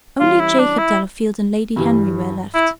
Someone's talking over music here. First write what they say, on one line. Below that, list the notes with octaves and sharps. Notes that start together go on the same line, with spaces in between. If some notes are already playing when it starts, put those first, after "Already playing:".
Only Jacob Delafield and Lady Henry were left.
E3 G3 C#4 F4
E4
D4
E4
G2 E3 G3
E4